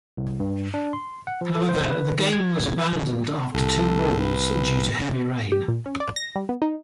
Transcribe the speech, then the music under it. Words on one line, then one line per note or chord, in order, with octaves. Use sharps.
However, the game was abandoned after two balls due to heavy rain.
C2
G2
D4
C6
F#5
F3
A4
C5
B4
D#3
G#6
C2 A4
B4
G4
A#2
C#4
D5
A#6
G3
B3
D#4